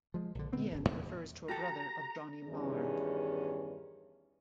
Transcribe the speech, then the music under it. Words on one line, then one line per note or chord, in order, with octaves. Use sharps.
"Ian" refers to a brother of Johnny Marr.
F3 G#3
A#1 D3
D3 B3 C4
D1 G#1
E2 E3
F#4 G4 A4 A#5
E2 G2 D#3 C#4 G#4